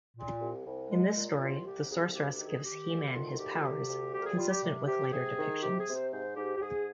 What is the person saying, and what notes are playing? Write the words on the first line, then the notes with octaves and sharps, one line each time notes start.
In this story, the Sorceress gives He-Man his powers, consistent with later depictions.
A#2
C2
C2
G#3
A#2
C2 F4
C2 G4
C2 G#4
D2 G4
G4
D#3
G#4
D#3 G4
D2
D#3 F4
D2 G4
F4
C3 G4
D2
G3 G4
A#4
G#4
G3 F4
G4
C3
C3 G4
C3 G#4
D#3
C3 G4
G#4
C3
C5
G#2 C5
G#2 G4
G4
G#2 G#4